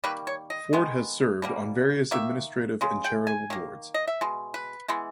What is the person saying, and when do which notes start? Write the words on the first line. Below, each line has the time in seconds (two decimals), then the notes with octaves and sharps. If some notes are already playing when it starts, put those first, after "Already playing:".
Forde has served on various administrative and charitable boards.
0.04 D#3 G3 A#3 B4
0.27 C#5
0.50 D#5
0.73 D#3 G#3 B3
1.42 B2 G3 A#3
2.11 D#3 A#3 E5
2.81 C#3 G#3
3.04 G5
3.27 G#5
3.50 D#3 A#3
3.94 D#5
4.08 E5
4.21 B2 G#3
4.54 B4
4.88 E3 G#3 B3